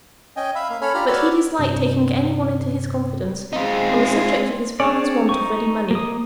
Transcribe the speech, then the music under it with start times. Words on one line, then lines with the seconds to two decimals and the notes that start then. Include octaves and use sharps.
But he disliked taking any one into his confidence on the subject of his father's want of ready money.
0.36 C#4 D#5 G5 G#5
0.55 E5 F5 B5 E6
0.70 A#3 F5
0.81 C#4 A4 C#5 B5 F6
0.94 D4 F4 G4 A#5 B5 F6
1.08 F#4 B4 C#5 D5 E6 F6
1.59 G2 C3
3.53 G#3 C4 D#4 F4 G#4
4.80 C4 D4 G#4 C#5 D5
5.29 D#4 C#6
5.91 A#3 D#6